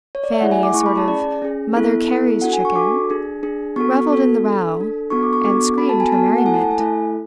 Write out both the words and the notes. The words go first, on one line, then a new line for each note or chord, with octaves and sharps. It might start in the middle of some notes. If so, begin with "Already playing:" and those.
Fanny, a sort of Mother Cary's chicken, revelled in the row, and screamed her merriment.
C#5
D5
E5
A3 E4 G#4 F#5
G#5
D6
A3 E4 G#4 C#6
B5
A5
C#4 G#4 D5
C#4 G#4
B3 E4 A4
B3 E4 A4
D4 F#4 A4 F#5
G#5
C#6
D4 F#4 A4 D6
D4 G#4
D4 G#4
B3 F#4 A4 C#6
B3 F#4 A4
D4 A4
D4 A4
B3 D4 F#4 A4 C#6
D6
C#6
B3 D4 F#4 A4 D6
B3 F#4 A4 B5
A5
G#5
B3 F#4 A4 A5
F#5
A3 E4 A4 G#5
A5
G#5
A3 E4 A4